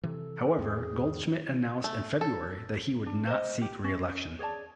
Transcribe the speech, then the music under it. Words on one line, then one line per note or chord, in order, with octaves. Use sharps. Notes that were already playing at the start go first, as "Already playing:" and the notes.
However, Goldschmidt announced in February that he would not seek re-election.
C3 E3 A4
E2 G#2 C4 G#4
A3
A4
D4
C5 D#5
G4
C#4
G#4 C#5 D5 A5